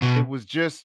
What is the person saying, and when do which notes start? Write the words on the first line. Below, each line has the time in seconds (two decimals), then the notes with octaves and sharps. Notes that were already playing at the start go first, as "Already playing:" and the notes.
it was just
0.02 B2